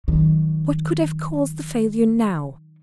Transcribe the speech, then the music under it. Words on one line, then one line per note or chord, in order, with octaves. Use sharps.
What could have caused the failure now?
D#3 F#3